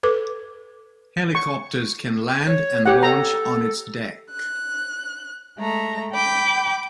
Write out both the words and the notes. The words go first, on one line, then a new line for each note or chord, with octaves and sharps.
Helicopters can land and launch on its deck.
A4 B4 D6
C#6
C#5
G4 C#5 F#5
A4 A#5
F#6
G#3 A3 A#5
G5 B5 D6 G6